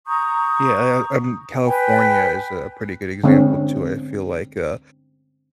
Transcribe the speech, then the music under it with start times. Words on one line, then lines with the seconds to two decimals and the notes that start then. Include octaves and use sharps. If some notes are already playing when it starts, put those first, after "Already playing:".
Yeah, uh uh um, California is a pretty good example, too, I feel like, uh,
0.06 A#5 C#6 D#6 G6
1.65 B4 G5 G#5
3.24 D3 G#3 C4 C#4